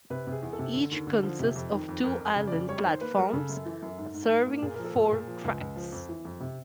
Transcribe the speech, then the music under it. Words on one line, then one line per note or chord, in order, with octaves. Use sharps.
Each consists of two island platforms serving four tracks.
C3 B4
C3
G#4
E2
A4
C3
D3
D#2
D3
F3
C3
F2
D#3
F2
F2 A#4
F2
C#3
D5
F2
G3 C#5
D#3 C5
A#3 B4
G3 A#4
C#3 A4
F#2
E3
F#2
G#2
G#2
G#2
A#3
A#2 G#4
F3 A#4
A4
A#2
G#4
A#2
F3
C#2
C#2
F3
F2
E3
F2
C3